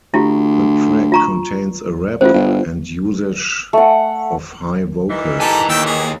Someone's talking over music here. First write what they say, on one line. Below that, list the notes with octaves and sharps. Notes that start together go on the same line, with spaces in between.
The track contains a rap and usage of high vocals.
D2 E4 F4 G4
F4 A#5 C#6
A1 F4 C5
G1
A3 F#5
A#2 D#3 E3
G4 A4 G#5 A#5
D#2 G5 E6
G#4